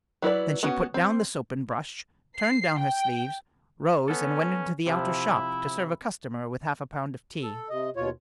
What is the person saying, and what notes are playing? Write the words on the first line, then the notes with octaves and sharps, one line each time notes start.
Then she put down the soap and brush, turned down her sleeves, rose and went into the outer shop to serve a customer with half a pound of tea.
F#3 E4 B4 D5
B3 C#4 F#4
C4
C7
G5
B3 C#4 A4
C3 F3 E4
A4
C3 D#5
D#2 B2 F4 C#5